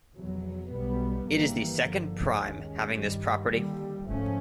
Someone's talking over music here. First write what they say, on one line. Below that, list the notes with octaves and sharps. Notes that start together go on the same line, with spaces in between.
It is the second prime having this property.
F1 E2 B2 F#3
B1 B2 G3 B3
G#1 G2 E3 G3 A#3
G1 G2 D3 F3
D#2 D#3 G#3 C#4
G2 D#3 G3
D#2 D3 G3
G#2 F3 A3 C#4